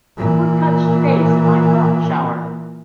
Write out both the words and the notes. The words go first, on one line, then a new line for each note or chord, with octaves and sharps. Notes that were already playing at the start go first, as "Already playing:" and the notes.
Who Touched Base In My Thought Shower?
A#2 E3